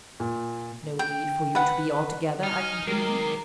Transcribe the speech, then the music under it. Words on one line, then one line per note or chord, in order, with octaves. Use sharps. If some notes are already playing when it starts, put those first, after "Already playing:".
"No need for you to be, altogether!" I continued.
A#2
G5
B4 F#5
D#4 G#5 D#6 F6
C#2 D#3 F#3 G#3 A#4 A#5 D6 C7